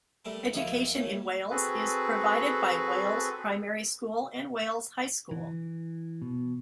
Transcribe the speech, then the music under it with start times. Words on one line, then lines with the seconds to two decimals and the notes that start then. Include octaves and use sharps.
Education in Wales is provided by Wales Primary School and Wales High School.
0.25 G3 A3 A4 A#4
0.54 A#1 D#2 D#3 E4 F4
0.96 A3 A#3 C#4
1.50 C4 F#4 G#4 A4 B4
5.31 E3
6.22 B2